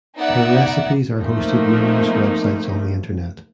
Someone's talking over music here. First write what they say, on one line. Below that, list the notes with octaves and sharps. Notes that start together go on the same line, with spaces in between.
Her recipes are hosted numerous websites on the internet.
B3 D#4 D5 E5 F#5
F3 A3 A#3 C4 D#4